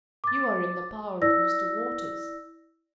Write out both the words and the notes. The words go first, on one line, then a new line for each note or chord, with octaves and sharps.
"You are in the power of Mr. Waters."
D6 A6
E4 D5 E6 A#6